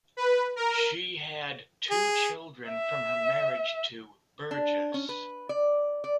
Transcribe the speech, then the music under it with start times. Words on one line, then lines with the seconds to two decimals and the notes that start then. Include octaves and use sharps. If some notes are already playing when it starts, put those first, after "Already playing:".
She had two children from her marriage to Burgess.
0.17 B4
0.56 A#4
1.91 G#4
2.69 E5
4.51 D4
4.94 C#4
5.09 B4
5.49 D5
6.04 D5